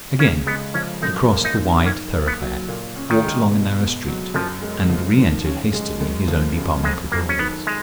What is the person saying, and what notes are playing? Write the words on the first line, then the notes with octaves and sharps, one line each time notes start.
Again he crossed the wide thoroughfare, walked along a narrow street, and re-entered hastily his own departmental buildings.
C#3 C#4
G#3 B3
F3 C#4
F#2 D#4
A#3
D#4
D#3
D#3 C#4
A#3
B3
F#3
A#2
C#4
D#3
G#3
B2
B3
F#3
F#2 F3
G#3
F3
D#3
C#4
G#3
F#2
F3
C#3
F2 G#3
F#3 A#3
C#4
D#3 B3
G#3